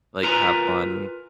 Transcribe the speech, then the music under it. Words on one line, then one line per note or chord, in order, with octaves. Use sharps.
Like, have fun,
F4 A#4 B4 G#5 A#5